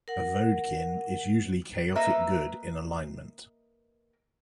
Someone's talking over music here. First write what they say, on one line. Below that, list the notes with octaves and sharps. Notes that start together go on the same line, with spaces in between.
A voadkyn is usually chaotic good in alignment.
A#4 F#5
A#3 B4 D#5 E5